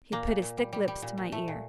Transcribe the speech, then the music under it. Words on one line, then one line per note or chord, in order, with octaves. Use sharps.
He put his thick lips to my ear.
A#2 A#3
A#2
A#2
G3
G3
G3
A#2
A#2
A3
A#2